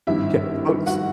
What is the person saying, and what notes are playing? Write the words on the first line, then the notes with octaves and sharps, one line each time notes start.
Yeah, boats
G#1 G2 D#3 E4 E5
F#4 F#5